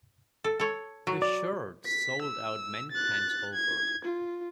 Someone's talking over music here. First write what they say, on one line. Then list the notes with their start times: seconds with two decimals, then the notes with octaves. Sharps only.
The shirts sold out many times over.
0.44 A4
0.59 A4 C#5
1.07 F#3
1.22 D5
1.86 B6
2.22 E6
2.92 F#6 A6
3.54 G#6
4.05 F4